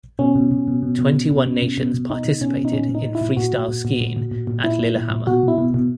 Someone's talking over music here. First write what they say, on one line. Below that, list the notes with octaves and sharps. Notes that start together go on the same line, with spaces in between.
Twenty-one nations participated in freestyle skiing at Lillehammer.
B2 C#4
B2
B2
B2
B2
B2
B2
B2
B2
B2
B2
B2
B2 D#4
B2
B2 C#4
B2
D#4
A#2 C#4
A#2
D#4
A#2
E4
A#2
A#2 F#4
A#2
A#2
A#2
A#2
A#2
A#2
A#2
A#2 E4
A#2
A#2
A#2
B2 F#4
B2 E4
B2
B2